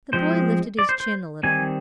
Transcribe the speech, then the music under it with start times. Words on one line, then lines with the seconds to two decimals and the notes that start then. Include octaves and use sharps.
The boy lifted his chin a little.
0.13 F3 G#3 C4 C5
0.79 D5
0.89 C5
1.00 C5
1.43 D#3 G3 C4 G#5